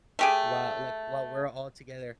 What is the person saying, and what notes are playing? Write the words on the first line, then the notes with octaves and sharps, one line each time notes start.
while like, while we're all together,
A3 G4 G#4